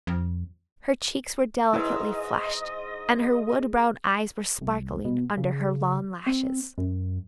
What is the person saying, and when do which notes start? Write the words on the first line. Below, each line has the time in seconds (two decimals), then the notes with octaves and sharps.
Her cheeks were delicately flushed, and her wood-brown eyes were sparkling under her long lashes.
0.07 F2
1.74 G#2 E4 B4 C#5 D#5
4.61 C2
5.05 B2
5.37 C#3
6.26 C4
6.78 F#2